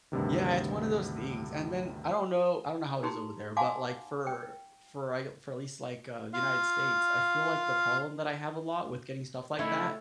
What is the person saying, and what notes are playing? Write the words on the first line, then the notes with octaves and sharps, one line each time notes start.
Yeah, it's one of those things, and then, I don't know I don't know how it is over there, but, like, for for I l for at least, like, uh, United States, I feel like the problem that I have a lot with getting stuff like that
D2 G2 C3 D#3
D#4 G4 G#4 A#5 C6
F5 F#5 G#5 A5 C6 D6
G5
F4 F5
C#3 A3 D#4 E4 C#5